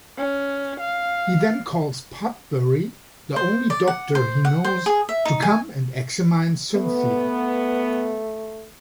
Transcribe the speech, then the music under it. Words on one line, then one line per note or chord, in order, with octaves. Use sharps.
He then calls Potbury, the only doctor he knows, to come and examine Cynthia.
C#4
F5
C5
D5
F#5
C5
F#5
C5
G#4
E5
D#4
G#5
A3 B3